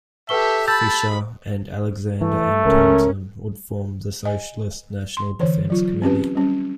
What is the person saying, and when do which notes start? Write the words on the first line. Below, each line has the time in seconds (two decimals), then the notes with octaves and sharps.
Fisher, and Alexander M. Thompson, would form the Socialist National Defence Committee.
0.29 G4 A4 B4 E5 C#6 G7
0.67 A5 B5 E6 G6 A6
2.21 E3 A3
2.65 C#2 C#4 A#4
4.25 D#5 G#5
5.17 C6
5.39 D3 E3 C5 C#5
5.70 F#3 F4
6.02 C4 C#4 G4 B4
6.35 G3 C#4